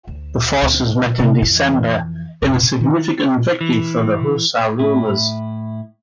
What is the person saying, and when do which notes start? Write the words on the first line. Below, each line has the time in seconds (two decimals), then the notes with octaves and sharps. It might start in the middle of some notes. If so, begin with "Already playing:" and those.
The forces met in December in a significant victory for the Hausa rulers.
0.07 D2
0.62 D2
1.18 A2 C3
1.42 F2 E3
2.42 F1 A2
2.81 D#3
3.61 E3
4.79 A2 E4